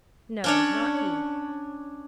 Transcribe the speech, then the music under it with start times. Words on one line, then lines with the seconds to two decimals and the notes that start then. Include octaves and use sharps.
No, not he.
0.44 C#4 D4 C#5